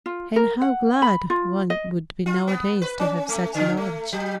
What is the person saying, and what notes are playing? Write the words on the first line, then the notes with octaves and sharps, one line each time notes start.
And how glad one would be nowadays to have such knowledge!
F4
A#4
F#5
B5
F4
D#5
F4
B3
B4
C#4
A3
D3
A3
F#3